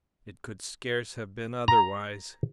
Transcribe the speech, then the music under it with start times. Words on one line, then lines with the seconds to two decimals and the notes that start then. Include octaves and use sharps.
It could scarce have been otherwise.
1.68 A#5